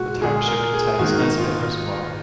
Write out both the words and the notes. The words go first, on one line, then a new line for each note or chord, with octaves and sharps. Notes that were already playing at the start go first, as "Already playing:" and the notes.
The township contains Nesbitt Reservoir.
Already playing: A#2 G#3 F#4
A#2 G#3 G#4
A#4
G#4
G#2 D#3 A#3 F#4
D#4
F4